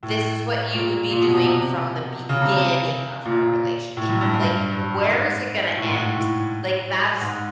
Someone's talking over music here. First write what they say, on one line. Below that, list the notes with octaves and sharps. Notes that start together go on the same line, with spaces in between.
"this is what you would be doing from the beginning of our relationship. Like, where is it gonna end?" Like, that's
A2
A#2
A#2
B2
B2
C3
C#3
C3
A#2
A2
F#2
G2
G2
G#2
A2
G#2
A2
A2
G#2